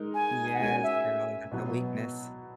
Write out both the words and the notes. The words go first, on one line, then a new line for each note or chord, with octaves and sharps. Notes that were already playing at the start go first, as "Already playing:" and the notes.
Yes, girl, that's a weakness.
Already playing: G#3 D#4 A#4
G#5
F#5
G#3 C#4 F#4 A#4 G#5
E5
B2 F#3 B3